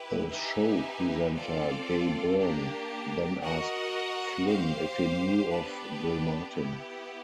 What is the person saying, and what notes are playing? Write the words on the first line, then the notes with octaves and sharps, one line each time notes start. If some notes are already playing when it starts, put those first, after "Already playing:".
The show presenter Gay Byrne then asked Flynn if he knew of Gilmartin.
Already playing: E4 G4 B4
D#4 G4 B4 E5 G#5
C4 F4 A4 D5
A#3 D4 G4
F#4 A#4 D#5 F#5
G4 C5 F5
B3 D4 G4 B4
B3 E4 G4